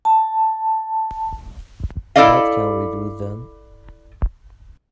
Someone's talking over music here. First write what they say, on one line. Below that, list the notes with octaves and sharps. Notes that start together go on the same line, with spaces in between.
What can we do, then?
A5
E4 A4 D5 D#5 F5